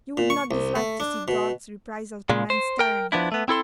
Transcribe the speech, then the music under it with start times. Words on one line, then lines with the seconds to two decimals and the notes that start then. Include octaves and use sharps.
You would not dislike to see God's reprisals to man's tyranny?....
0.17 A#2
0.30 C#6
0.51 C2
0.75 A3
1.00 D4
1.28 B2
2.30 A#2 C#3 G#3
2.50 C5
2.79 A#4 G5
3.12 F3 B3 D4 E4
3.32 A3 B3
3.48 C4 E4 A4 C6